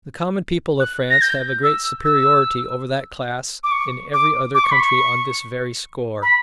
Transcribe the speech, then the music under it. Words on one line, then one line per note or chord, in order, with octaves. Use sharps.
The common people of France have a great superiority over that class in every other country on this very score.
F#6
A#6
G6
E6
E6
D6
C#6
D6
D6
C#6
B5
C#6
B5